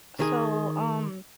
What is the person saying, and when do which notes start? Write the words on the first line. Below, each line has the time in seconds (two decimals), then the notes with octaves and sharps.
so, um,
0.20 D#3 G#4